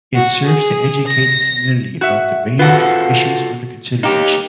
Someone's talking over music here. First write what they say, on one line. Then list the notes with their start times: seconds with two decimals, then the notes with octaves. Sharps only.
It serves to educate the community about the range of issues under consideration.
0.15 F#4
0.46 G#4
1.08 A#6
2.01 F#4 E5
2.59 F4 F#4 A4 B4 F#5
4.03 A#3 D#4 G4